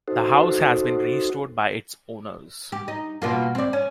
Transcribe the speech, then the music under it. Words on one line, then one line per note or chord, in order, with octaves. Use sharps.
The house has been restored by its owners.
D#4 F#4 A4 C5
G4
D#4
B2 A#3 F4
C4 D5
C#4